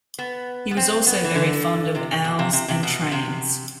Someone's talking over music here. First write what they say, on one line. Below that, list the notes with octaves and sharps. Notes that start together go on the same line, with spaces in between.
He was also very fond of owls and trains.
B3
B3
C4
B3
E3
D3
C3
B2
C3
C3
C3
B2
C3